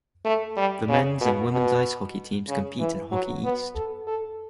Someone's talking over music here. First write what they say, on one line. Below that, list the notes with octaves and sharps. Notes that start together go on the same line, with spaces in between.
The men's and women's ice hockey teams compete in Hockey East.
A3
G3
C#3
B2
B2
C#3
E3
F#3
B3
A4
A4